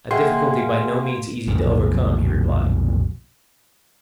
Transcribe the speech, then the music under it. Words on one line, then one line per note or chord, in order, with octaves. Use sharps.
A difficulty by no means easy to overcome, he replied.
D#2 A#3 G#4 E5 F#5 G5 C6
B1 F2 A#2